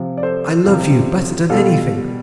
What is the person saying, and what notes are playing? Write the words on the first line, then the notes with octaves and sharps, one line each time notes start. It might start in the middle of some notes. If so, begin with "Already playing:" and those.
I love you better than anything.
Already playing: C3 F3
D5
A4 C5
C3 F3
B2 G3 F4 A4